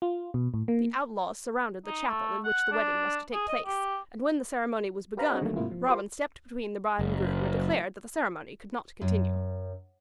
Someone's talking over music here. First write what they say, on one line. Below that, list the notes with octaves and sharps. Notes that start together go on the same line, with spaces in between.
The outlaws surrounded the chapel in which the wedding was to take place and when the ceremony was begun Robin stepped between the bride and groom and declared that the ceremony could not continue.
F4
B2
A2
A#3
D#4
A3
F#5
D4
G#4
D#5
G4
G4 B4 C5 F5 A#5 B5
C4 D4 F#4 G#4 C#5 D#5
D3 D#3 F#3 G3 A3 A#3
G#2 C3 A#3 E4 F4
F3
F4 G4 A#4 C5 C6
F#1
F#2